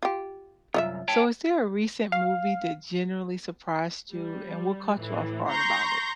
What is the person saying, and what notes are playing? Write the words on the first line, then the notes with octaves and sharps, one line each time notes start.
So, is there a recent movie that generally surprised you, and what caught you off guard about it?
F4 G4
C2 F#2 F4 D#5 E5
C#5 G5 A5
F5
G3
A2 E3
A#5 C6 C#6 G6 A#6